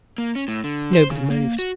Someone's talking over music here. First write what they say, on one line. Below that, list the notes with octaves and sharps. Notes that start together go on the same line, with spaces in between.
Nobody moved.
A#3
C#4
A2
D3
C5
C#3
A#3
F#4